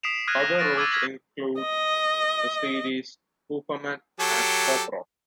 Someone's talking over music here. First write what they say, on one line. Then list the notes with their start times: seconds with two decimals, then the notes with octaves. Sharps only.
Other roles include the series "Hooperman" and "Cop Rock".
0.03 D#6 B6 C7 D7 E7 F7
0.27 D#6 F6 F#6 G#6 A#6 D#7
0.40 A#6
0.59 C#6 A6 A#6 D7
0.77 D6 E6 G#6 A6 D#7
0.92 F6 G#6 B6 F#7
1.61 D#5
4.20 F#3 G4 A4